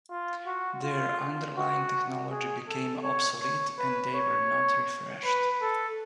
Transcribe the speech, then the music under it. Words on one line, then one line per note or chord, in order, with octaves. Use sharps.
Their underlying technology became obsolete and they were not refreshed.
F4
F#4
F4
F#4
G#4
A4
C#5
C#5
B4
C#5
B4
A4